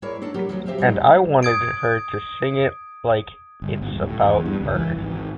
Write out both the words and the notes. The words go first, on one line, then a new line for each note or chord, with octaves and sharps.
And I wanted her to sing it like it's about birth.
G#3 E4 A#4 C#5 D5
D4 D#4 A4 F#5
F#3 G4 A#4
D2 F3 F#3
C4 G4 C5 E5 F5
G3 G#3 C4 D#4
D#6 G#6 D7
G1
G#1
D#1
A2
E2
G2
C#2
E3
G#1